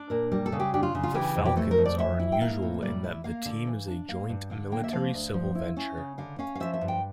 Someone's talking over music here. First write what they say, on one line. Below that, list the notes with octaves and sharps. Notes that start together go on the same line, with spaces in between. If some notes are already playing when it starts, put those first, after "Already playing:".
The Falcons are unusual in that the team is a joint military-civil venture.
Already playing: D4
A#2 A#4
G3 A#4
A4
C#3
G4
D4 G4
F4
C#3
F4
E3 G4
F2
G4
A3 A4
A#4
F2
D5
E3 E5
E4
G5
A#3 F5
A2
G3 D5
E4
A#3 F5
D3
E3
D4
A#3 F5
G2
D3 F5
A#3 G5
E5
F3 F5
D2
F3
E4
C#4
C#3
D3 F5
C#4 F5
F5
F3 E5
E5
G2
G5